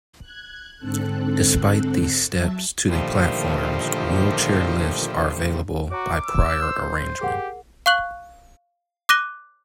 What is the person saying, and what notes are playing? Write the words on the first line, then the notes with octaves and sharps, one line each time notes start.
Despite the steps to the platforms, wheelchair lifts are available by prior arrangement.
F#6 G#6
G#2 D3 C4 A4 F#6
F#3 E5 A5
A#2 D3 D#3 F3 G3 A3
F#4 C#5 A#5 D6
E6
C5 D6
G4 G#4 A#4 F#5
F5 C#6 F#6 F#7
D6 F#6 A#6 D#7 G7